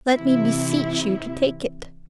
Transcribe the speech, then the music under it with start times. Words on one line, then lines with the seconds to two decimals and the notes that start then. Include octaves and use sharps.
"Let me beseech you to take it."
0.12 C3 E3 E4